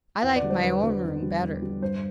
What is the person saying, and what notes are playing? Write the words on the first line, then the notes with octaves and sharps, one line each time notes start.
I like my own room better.
E2 F#5
D5
D3 G3
C5
E2 B4
D3 G3
E2
D3 G3
E2
D3 G3
G2 C5